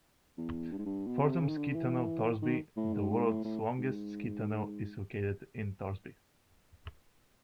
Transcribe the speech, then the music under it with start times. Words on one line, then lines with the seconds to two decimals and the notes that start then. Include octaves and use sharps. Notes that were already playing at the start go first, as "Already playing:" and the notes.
Fortum Ski Tunnel Torsby, the world's longest ski tunnel, is located in Torsby.
0.38 E2
0.72 G2
0.78 G#2
0.85 G2
1.07 B2
1.23 C3
1.41 C#3
1.48 D#3
1.57 D3
1.75 E3
2.42 D#3
2.77 A2
2.94 G#2
3.11 G#2
3.27 A2
3.45 A2
3.78 G#2